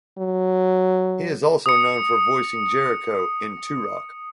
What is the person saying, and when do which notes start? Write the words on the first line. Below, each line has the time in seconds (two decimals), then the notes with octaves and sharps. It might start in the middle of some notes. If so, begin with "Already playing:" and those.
He is also known for voicing Jericho in Turok.
0.18 F#3
1.66 D#6 C#7